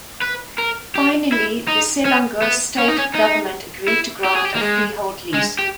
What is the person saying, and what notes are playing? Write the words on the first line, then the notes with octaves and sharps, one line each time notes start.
Finally, the Selangor state government agreed to grant a freehold lease.
B4
A#4
G4
E4
D#4
C#4
B3
C#4
D#4
C#4
D#4
E4
G4
G#4
G4
A#3
G#3
G#3
G4